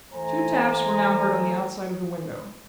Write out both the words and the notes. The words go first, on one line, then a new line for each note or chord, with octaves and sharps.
Two taps were now heard on the outside of the window.
E3 A3 C5 G#5 A#5